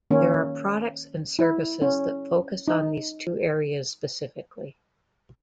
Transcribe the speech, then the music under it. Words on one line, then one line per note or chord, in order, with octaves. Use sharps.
There are products and services that focus on these two areas specifically.
D#3 A#3 C#4
E4
C#4
D#4